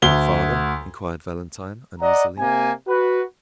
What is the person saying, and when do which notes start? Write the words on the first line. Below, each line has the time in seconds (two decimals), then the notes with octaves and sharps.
"My father?" inquired Valentine, uneasily.
0.02 D2 G7
2.00 D5 D#5 F#5 A#5
2.38 C3 A#3 G#5
2.87 F#4 B4